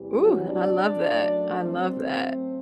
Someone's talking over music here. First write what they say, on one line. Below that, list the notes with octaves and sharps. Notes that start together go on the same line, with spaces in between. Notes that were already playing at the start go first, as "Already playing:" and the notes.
Ooh, I love that, I love that.
Already playing: E2 C3 E3 G3
F#3 F#4
D4 D5
F#2 F#3 A3
C4 C5
F#2 F#3 A3